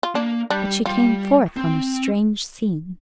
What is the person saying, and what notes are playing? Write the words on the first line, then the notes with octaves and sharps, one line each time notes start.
But she came forth on a strange scene.
F4
A#3 D4
G3 D4
G3 F4
C4